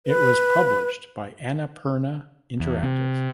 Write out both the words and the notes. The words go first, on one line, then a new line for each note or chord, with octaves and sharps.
It was published by Annapurna Interactive.
B4
E2
C3